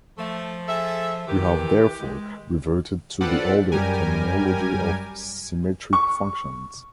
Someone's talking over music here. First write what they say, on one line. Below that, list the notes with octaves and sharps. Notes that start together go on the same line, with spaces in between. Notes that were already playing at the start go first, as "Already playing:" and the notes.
We have therefore reverted to the older terminology of symmetric functions.
F3 A3
G#4 A4 E5
D#3 E3 G4
G#3
C4 F4 A4 B4 D5 F#5
F#2 G3 G4 A#4 G#5
C#6